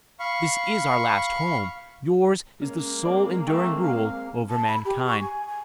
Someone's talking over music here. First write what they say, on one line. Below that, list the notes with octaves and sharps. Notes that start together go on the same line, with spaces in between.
This is our last home, yours is the sole enduring rule over mankind.
F5 B5 C#6
G#3 A#3 C#4
C4 D5
A3 C4 G#4 G5
F5
A5
B5
G4
C#6
G#5
G#5